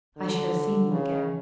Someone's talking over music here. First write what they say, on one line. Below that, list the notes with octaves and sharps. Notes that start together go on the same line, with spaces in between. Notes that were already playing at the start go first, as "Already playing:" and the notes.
"I should have seen you again."
D3
C#3